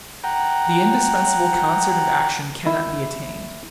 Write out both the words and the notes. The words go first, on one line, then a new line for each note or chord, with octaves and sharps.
The indispensable concert of action cannot be attained.
F#5 G5 A#5
E4